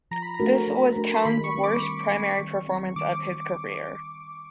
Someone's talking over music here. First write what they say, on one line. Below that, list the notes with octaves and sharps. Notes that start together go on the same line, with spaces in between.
This was Towns' worst primary performance of his career.
F3 A#5
B5
A#5
A3 D4 F#4 A#4
F3
A3 D4 F#4 A#4
C6
D#3 B5
C#6
G3 C4
D6
D#3 C#6
G3 C4
D#3
G3 C4
D#3 D6